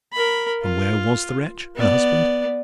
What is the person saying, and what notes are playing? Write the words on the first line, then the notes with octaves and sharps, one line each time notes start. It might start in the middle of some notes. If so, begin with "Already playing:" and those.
And where was the wretch, her husband?
A#4 B5
F4
B3 D5